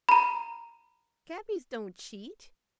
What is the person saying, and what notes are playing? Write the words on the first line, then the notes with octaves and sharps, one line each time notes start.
"Cabbies don't cheat."
A#5 B5